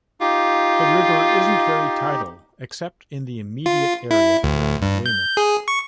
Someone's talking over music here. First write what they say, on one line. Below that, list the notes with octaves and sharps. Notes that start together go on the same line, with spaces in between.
The river isn't very tidal except in the immediate area around Weymouth.
D#4 F4 G4
F4
E4
D2
G2
G6
G#4
C#6